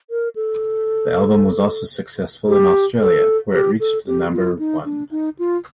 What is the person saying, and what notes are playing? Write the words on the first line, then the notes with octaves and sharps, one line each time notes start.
The album was also successful in Australia, where it reached number one.
A#4
A4
G4
A4
G4
A4
G4
F4
D#4
D4
D#4
F4